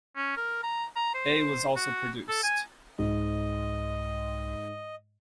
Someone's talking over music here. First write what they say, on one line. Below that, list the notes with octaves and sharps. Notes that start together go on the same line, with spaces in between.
A was also produced.
C#4
A#4
A#5
A#5
C5
F#4
A4
G#5
C2 G#2 D#5